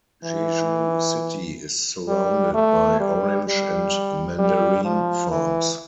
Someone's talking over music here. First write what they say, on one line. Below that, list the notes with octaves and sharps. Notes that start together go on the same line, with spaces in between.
Jeju City is surrounded by orange and mandarin farms.
E3
G3
A3
G3
G3
G3
F3
E3